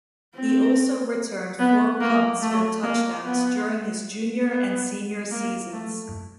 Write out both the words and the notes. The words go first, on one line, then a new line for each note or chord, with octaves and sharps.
He also returned four punts for touchdowns during his junior and senior seasons.
C4
B3
A#3
A3
A#3
B3
B3
A#3
A3